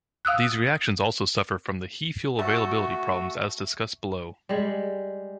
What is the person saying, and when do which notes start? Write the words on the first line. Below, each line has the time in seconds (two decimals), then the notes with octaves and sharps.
These reactions also suffer from the He fuel availability problem, as discussed below.
0.25 F5 D#6 E6 F#6
2.39 A3 F#4
4.49 G3 G#3